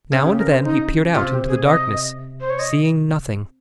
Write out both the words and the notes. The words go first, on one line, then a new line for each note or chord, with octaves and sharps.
Now and then he peered out into the darkness, seeing nothing.
C#3 G4
G4
A#4
C5
D#4
C3 F4
G4
G#4
D#5
C5
C#5
D#5